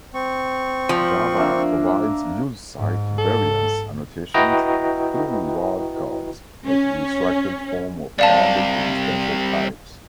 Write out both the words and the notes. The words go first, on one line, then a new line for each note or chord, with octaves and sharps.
Java provides use-site variance annotations through wildcards, a restricted form of bounded existential types.
C4 C#6
F3
A#3 D4 E5
G#2
A4
E4 F#4 B4 D#5 G5 A#5
C#4
C2 C3 D5 F5 A5